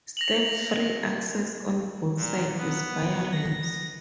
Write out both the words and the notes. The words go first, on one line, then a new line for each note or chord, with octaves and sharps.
Step-free access on both sides is via ramps.
A#6 F7 F#7
A#2
B3
A#6